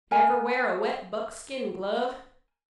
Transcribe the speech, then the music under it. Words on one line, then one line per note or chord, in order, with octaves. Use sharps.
Ever wear a wet buckskin glove?
A#4 G#5